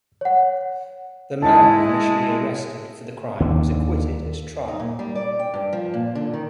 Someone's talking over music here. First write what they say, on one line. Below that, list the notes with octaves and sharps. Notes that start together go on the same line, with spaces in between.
The man initially arrested for the crime was acquitted at trial.
C#5 F#5
G#3 E4 A5
D#2 D3
D#4
A#2
G3
D5
G5
G2
F3
A#2
D3
D#3